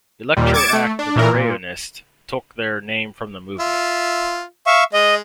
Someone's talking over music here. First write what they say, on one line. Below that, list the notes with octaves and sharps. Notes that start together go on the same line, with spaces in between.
Electro act "The Rayonists" took their name from the movement.
D#2 A#2 G3
D6 G#6 A6 C#7 D7 E7
A3
D4
A#2 E3 A#4
A#2
F4 E5
E5 F5 C#6
G#3 D#5